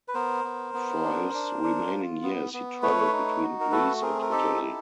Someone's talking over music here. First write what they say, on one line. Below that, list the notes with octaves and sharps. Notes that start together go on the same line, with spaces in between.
For his remaining years he travelled between Greece and Italy.
B4
B3 A#4 C5
B3
B3
D4
D4
D4
F4
B3
B3
A3 B4 C#5
D#4
F#4
A#4
A3 A4 B4
C4 G#4 A#4
A#4
D#4 G4 A4
E4